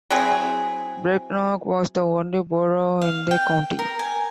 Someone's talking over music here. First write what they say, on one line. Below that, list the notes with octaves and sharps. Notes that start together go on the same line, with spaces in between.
Brecknock was the only borough in the county.
F#3 C4 E4 G#4
F5
G5
A#4
G#5